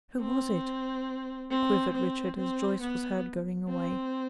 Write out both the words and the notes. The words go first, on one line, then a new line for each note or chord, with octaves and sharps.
"Who was it?" quivered Richard, as Joyce was heard going away.
C4
C4
C4
C4
B3
C4